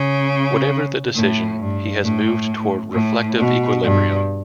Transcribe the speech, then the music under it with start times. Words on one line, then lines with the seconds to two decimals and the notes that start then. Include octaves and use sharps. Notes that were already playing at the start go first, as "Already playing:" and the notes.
Whatever the decision, he has moved toward reflective equilibrium.
Already playing: C#3
1.15 A2
1.58 G2
2.04 A2
2.93 A2
3.37 B2
3.83 G2